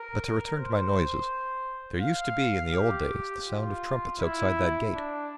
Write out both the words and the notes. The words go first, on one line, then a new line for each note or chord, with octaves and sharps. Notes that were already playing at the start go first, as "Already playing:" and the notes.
But to return to my noises; there used to be in the old days the sound of trumpets outside that gate.
Already playing: A#4
C5
F5
G4
F4
E4
D4